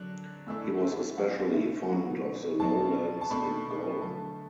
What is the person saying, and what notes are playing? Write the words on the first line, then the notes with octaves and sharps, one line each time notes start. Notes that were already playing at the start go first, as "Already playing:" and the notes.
He was especially fond of the lowlands in Golm.
Already playing: D3 F#3 D4 F#6
A2 E3 A3 D4 E6
E5
B2 F#3 D4 F#5
E5
E5
B2 F#3 A3 F#5
B2 F#3 D4 A5
A5
B2 A3 D4 B5
D3 F#3 A3 A5